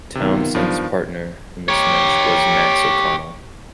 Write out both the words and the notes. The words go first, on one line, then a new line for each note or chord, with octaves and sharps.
Townsend's partner in this match was Max O'Connell.
C3 D#3 B3 F4
G2 F3
G4 C#5